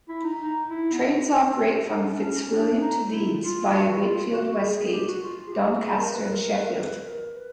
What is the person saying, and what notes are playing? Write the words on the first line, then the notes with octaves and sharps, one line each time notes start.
Trains operate from Fitzwilliam to Leeds via Wakefield Westgate, Doncaster and Sheffield.
E4
D#4
D#4
E4
B3
C4
C#4
C#4
D#4
D4
C#4
D4
C#4
D4
D#4
E4
F4
G4
F#4
E4
F4
F#4
G#4
G#4
G4
F#4
F4
G#4
G4
G#4
A#4
B4
A#4
A#4
B4
A#4
B4
A#4
B4